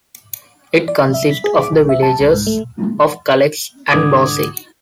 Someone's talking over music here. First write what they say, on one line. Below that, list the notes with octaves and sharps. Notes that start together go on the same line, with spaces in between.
It consists of the villages of Collex and Bossy.
D5
E5
B6
G#4
D6
B1
E5
A5
C2
G#2
A3
C2 G#2 D3 D6 D#6 G#6